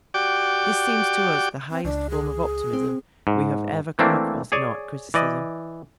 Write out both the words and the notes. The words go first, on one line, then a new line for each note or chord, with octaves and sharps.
This seems to us the highest form of optimism we have ever come across in art criticism.
F#4 G4 D5 G5 D6
C4
C#2 D4
G#4
C4
G#2
E3 A3 A#3 C4 D4 E4
G#4 C#5 D5 G#5
E3 D5 D#5